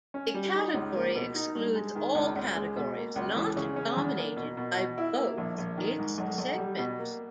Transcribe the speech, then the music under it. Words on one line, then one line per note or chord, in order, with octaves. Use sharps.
A category excludes all categories not dominated by "both" its segments.
C#4
G3
D#4
C#2
A#3
B2
D#4
G2
G#3
D#3
C#2
C#2
G#3
B2
A#3
C#2
E3
C#3
C#4
E2
A#3
B2
B2
B2
E4
A#3
A#1
A#1
D#3
G#2
B1
B1
G3
B2
A#3